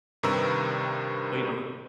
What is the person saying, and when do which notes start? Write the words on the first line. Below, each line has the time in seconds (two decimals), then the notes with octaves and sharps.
but, l you know,
0.23 G2 C3 D#3 A#4 B4 E6